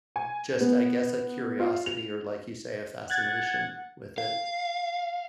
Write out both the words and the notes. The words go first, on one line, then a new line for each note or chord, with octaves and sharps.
just, I guess, a curiosity or, like you say, a fascination with it.
G#5
B3
F4
F7
F#5 F#6 G#6 A6
F5